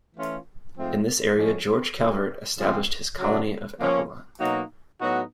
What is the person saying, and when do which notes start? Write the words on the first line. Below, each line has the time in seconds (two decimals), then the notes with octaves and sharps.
In this area George Calvert established his Colony of Avalon.
0.16 E3 A3 C#4 F4
0.76 G#2 F3 A3 C4
1.36 F3 G#3 C#4
1.97 A2 F#3 A3 C#4
2.58 C#3 F3 G#3 C4 F4
3.19 C#3 F#3 A3 D4 F#4
3.79 F3 A#3 C#4
4.40 B2 F#3 A#3 D#4 F#4
5.00 A2 F#3 B3 D#4 F#4